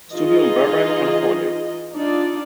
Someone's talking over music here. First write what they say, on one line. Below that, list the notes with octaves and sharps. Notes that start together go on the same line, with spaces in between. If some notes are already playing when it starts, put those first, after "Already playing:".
Studio in Burbank, California.
E3 D#4 F4 G#4 D#5
D4 D#4 F4 D5